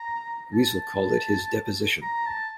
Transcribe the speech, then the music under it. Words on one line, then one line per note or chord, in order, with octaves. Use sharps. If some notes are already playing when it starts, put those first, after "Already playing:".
Wiesel called it his deposition.
Already playing: A#5
A5
A#5
A5